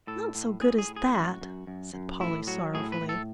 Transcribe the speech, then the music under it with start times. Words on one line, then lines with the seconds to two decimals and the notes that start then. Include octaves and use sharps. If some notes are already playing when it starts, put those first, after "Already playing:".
"Not so good as that," said Polly, sorrowfully.
0.07 A2 A4
0.35 A2
0.61 A2 G#4
0.78 G#4
0.88 A2
0.96 G#4
1.14 F#2 F#4
1.41 F#2
1.67 F#2
1.94 F#2
2.21 A2 E4
2.47 F#3 F#4
2.74 A2 G#4
2.92 B4
3.01 A2
3.09 A4